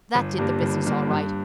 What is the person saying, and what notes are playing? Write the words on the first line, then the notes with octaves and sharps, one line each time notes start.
That did the business, all right.
G1
G2 G3 A#3
G1
G2 G3 A#3
G2